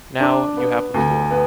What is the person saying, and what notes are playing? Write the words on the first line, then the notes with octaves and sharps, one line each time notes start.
Now you have the floor.
D4
B3
D2
B3